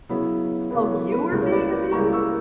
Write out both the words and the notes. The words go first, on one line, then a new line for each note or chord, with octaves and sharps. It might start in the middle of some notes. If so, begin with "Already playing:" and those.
Oh, you were being abused?
C#3 F#3 B3 E4 C#5
C#3 F#3 B3 E4 B4
C#5
B4
B4
C#2 C#3 G3 A#3 E4
C#5
B4 D5
B4 D5
C#2 C#3 G3 A#3 E4 A#5 C#6
C#6 E6